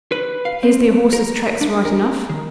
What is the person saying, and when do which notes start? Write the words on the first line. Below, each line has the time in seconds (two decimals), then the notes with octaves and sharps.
Here's their horses' tracks right enough.
0.12 B4
0.45 F5
0.63 C4
1.13 A#4
1.61 D4
1.85 A#4
2.29 D#3